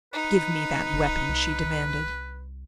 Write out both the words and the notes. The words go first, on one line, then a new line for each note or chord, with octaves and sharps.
"Give me that weapon!" she demanded.
D#4 B4
F#1
C2